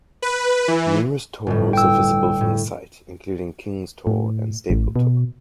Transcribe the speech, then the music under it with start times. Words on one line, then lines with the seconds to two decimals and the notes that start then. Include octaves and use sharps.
Numerous tors are visible from the site, including King's Tor and Staple Tor.
0.22 B4
0.68 E3
1.47 G1 A2
1.73 G5 E6
2.41 A2
4.07 A2
4.70 A1
4.96 B2